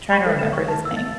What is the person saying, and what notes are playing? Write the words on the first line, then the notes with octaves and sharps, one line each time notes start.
Trying to remember his name.
C#6
A4
E7
C#6
A5
E6
A6